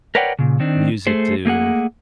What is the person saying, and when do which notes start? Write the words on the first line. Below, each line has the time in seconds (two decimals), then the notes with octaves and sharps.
music to
0.15 A#4 B4 C#5 D5 F#5 G5
0.39 A#2 C#3
0.60 D#3 C4 D4
1.07 A3 G#4 A4 C5
1.45 A3 A#3 G#4 F#5